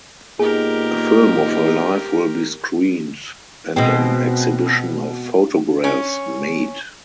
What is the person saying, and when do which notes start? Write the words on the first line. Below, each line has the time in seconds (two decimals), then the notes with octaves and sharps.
A film of her life will be screened and an exhibition of photographs made.
0.40 A#2 G#3 B3 D#4 G4 G#4 A#4
3.76 B2 G#3 C4
5.84 C#4